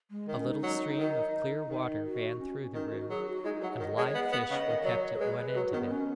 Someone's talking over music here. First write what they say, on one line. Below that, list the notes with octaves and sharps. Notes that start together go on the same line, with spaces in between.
A little stream of clear water ran through the room, and live fish were kept at one end of it.
G#3
D#3
C#4
D#4
F#3
D#3
D#3
F#4
C#4
D#3 D#4
F#4
F#3 G#4
F#4
G#3 D#4
F#3 F#5
D#3 D#5
G#3 C#5
B3 F#5
B3
C#3 D#5
D#3
D#5
F#3 C#5
G#4
G#3 B4
F#3 F#4
D#3 B3
C#4